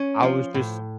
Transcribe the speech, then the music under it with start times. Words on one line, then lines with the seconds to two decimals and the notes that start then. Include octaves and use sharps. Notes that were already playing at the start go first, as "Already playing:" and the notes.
I was just
Already playing: C#4
0.23 F3
0.54 A2